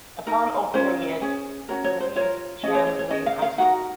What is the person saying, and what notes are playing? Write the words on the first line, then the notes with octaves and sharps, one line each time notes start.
Upon opening it relieved Chambly High School.
D#4 A#4
C#4 F4 A#4 C5
C#4 G#4
C#4 F#4 A#4 C#5
C#5
C5
F4 A#4 C#5
C#4 G#4 D#5
C#5
C#5
C#5
C#4 G#4 D#5
F5
F5
D#4 F#4 A#4 F#5